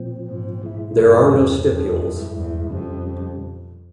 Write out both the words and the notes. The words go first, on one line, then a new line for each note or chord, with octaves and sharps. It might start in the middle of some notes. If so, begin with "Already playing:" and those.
There are no stipules.
Already playing: A#2 F3 C4
G#2
E3 G#3 E4
G2
E2 E3 A#3 C#4
F2
G2 E3 G#3 E4
E2
F2 C#3 G3 C4